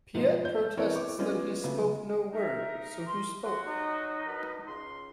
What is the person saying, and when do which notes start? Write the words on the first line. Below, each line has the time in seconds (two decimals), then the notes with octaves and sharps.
Piet protests that he spoke no word, so who spoke?
0.14 G#2 B2 F3 D#4
0.45 G6
0.77 E3 B3 C4 A#4 C#5 D5
0.95 C#6 D6
1.18 F#3 G#3 B3 C#4 F4 D5
1.63 C#3 F#3 A3 B3
2.34 D#4 A#4 E5
3.07 C6
3.44 F#3 F#4 C6
3.65 D#4
4.27 F#4 A#4 B4
4.67 C#2 C6